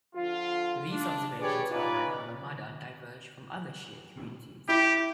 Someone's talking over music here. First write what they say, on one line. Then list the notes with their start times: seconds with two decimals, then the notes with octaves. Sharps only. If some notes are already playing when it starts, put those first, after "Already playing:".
These observations outline how the Madan diverge from other Shia communities.
0.16 D3 F3 F4
0.91 D4
1.40 G4 G#4 B4 C#5 D5
1.71 C#4 D#4 F4 B4 D5
4.69 E4 G4